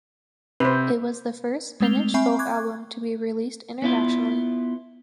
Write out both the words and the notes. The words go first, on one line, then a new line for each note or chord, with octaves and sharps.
It was the first Finnish folk album to be released internationally.
C3 B4 C5
G#3 A3 C4 F7 G7
C4 E5 G#5 B5 C#6
C#6 D6 F#6 G#6
B3 E4 F4